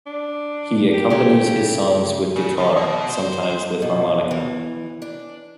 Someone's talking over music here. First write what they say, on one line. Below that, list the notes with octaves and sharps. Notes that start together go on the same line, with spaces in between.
He accompanies his songs with guitar, sometimes with harmonica.
D4
G4
C#3 A3 E4
C#3
F3
B2
C5
B2
E3
D4